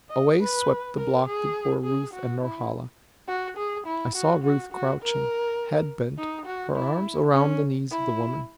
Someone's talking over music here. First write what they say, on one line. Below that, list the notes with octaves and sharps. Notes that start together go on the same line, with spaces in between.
Away swept the block that bore Ruth and Norhala; I saw Ruth crouching, head bent, her arms around the knees of the woman.
D#5
B4
A#4
G#4
G#4
F#4
E4
F#4
G#4
E4
F#4
F#4
F#4
A#4
D#4
F#4
E4
C#4
E4